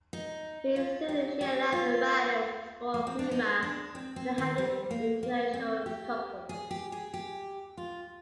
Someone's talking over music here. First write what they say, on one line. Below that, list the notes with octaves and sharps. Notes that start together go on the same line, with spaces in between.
Being Zulu, she allowed the writers to explore humour in having an interracial couple.
D#4
F4
G4
G4
F4
A#3
C4
D4
D#4
D4
C4
C4
D#3
G3
A#3
A#3
C4
G4
G#4
G4
G#4
G4
F4